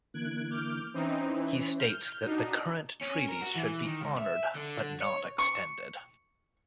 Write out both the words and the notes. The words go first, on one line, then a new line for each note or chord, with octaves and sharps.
He states that current treaties should be honored but not extended.
D3 E3 A#3 F#6 G#6 D7
D6 F6 G6
E3 C4 C#4 D#4 C5
E3
F6 G6
D4 D#4 F#4
C#4
A#4
F#4
E3
D#3
C#2
E5
D3
C#5
C#6